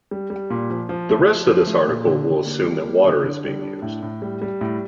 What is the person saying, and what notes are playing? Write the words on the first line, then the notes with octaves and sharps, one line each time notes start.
The rest of this article will assume that water is being used.
G3
G3
A#2
F3
F3
A3
F3
F3
A3
A#2
D3
D3
A#3
G3
A#3
D3
D3
G3
D4
A2
A2
G3
G3
A2